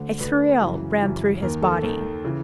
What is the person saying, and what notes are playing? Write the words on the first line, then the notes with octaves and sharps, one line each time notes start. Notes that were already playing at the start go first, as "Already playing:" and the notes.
A thrill ran through his body.
Already playing: D2 D3
D2 D3 B4
B4
F#2 C#3 E3
F#2 C#3 E3
D#2 D#3 A#4
A4
D#2 D#3
C#3 E3